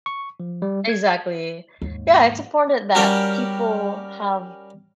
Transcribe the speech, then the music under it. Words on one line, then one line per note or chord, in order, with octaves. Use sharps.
Exactly, yeah, it's important that people have
C#6
F3
G3
G#6
D#2 G#2
G3 C#4 F#4 G4 A#4